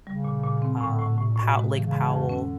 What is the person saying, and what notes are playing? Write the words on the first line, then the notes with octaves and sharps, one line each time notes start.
um, Po Lake Powell,
C#3 G3
A#2
A#2
C4
A2 D3
A2
A2 C3
A#2
A2
B2
B2 G#3
C3
C#3 E3
C#3
G#3
F2
D3 C#4